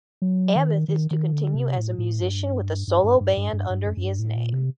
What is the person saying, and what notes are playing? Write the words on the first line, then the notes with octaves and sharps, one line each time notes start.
Abbath is to continue as a musician with a solo band under his name.
F#3
D#3
D#3
D#3
D3
C3
A2
A2
G2
G2
G2
G2
G2
G2
G2
F#2
F#2
G2
A2
A#2
C3